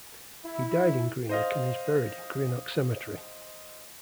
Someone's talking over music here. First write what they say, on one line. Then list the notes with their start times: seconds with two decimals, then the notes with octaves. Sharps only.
He died in Greenock and is buried in Greenock Cemetery.
0.45 E4
1.29 C5 D#5 F5